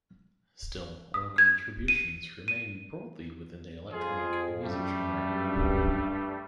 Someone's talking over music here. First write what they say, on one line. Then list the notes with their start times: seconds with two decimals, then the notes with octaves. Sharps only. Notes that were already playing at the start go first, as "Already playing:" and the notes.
Still, all contributions remain broadly within the electronic music genre.
1.14 D#6
1.38 G#6
1.88 D#7
2.48 D#7
3.92 F2 F4 G#4
4.63 F#2 G3 A3
5.29 G2